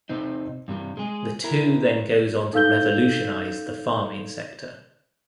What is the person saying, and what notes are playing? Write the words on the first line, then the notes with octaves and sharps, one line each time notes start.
The two then goes on to revolutionize the farming sector.
C3 C4 D#4
G2 C3 G3
G#3 G#4
E4 A#4
D#4 A4 F5 E6 G6 G7